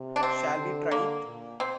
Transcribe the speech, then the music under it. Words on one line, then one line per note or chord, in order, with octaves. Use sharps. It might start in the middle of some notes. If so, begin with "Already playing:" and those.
Shall we try it?
Already playing: C3
D4
C4
D3
A#3
A#2
C4